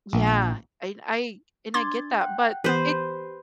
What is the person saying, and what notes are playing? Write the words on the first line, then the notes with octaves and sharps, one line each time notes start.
Yeah, and I and I get that, but it
A#1
D4 C6 D6 G#6 A6
F#5 G5 F#6
E3 B3 G4 B4 C5